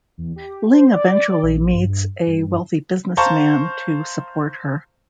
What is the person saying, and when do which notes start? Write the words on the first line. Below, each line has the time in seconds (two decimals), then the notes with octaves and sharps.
Ling eventually meets a wealthy businessman to support her.
0.18 E2
0.36 G4
0.71 C5
0.91 D5
1.43 A#1
1.73 G2
2.27 G2
3.17 C5 F5 A5 A#5 C#6